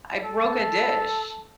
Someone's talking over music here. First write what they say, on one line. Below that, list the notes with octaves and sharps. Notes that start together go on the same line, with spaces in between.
I broke a dish.
A4